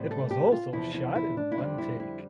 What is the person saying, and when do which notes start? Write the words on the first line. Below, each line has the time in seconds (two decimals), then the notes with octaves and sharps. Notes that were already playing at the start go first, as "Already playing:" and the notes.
It was also shot in one take.
Already playing: A2 E3 G3 C4
0.11 A4
0.31 G4
0.52 F4
0.72 E2 C3 F3 E4
0.94 E4
1.16 E4
1.37 D4
1.52 E4
1.57 F2 D3 G3 C4 D4
1.78 E4
2.00 E4